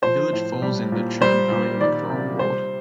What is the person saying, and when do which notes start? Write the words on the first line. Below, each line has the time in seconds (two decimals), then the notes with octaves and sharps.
The village falls in the 'Churn Valley' electoral ward.
0.02 F3 C5
0.33 A2
0.62 G3
0.92 A#2
1.21 G3 C5
1.51 A#2
1.80 D#3 D5
2.10 C3
2.39 G3 C5